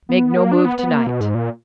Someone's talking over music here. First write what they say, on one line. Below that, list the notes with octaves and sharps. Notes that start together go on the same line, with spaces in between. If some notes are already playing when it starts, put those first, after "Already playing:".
Make no move to-night.
B3
A#3
D4
B3
B3
A#3
B2
G#2
A#2